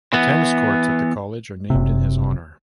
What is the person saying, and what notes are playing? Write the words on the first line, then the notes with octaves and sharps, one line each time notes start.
The tennis courts at the college are named in his honor.
E3 B3
F#1 C3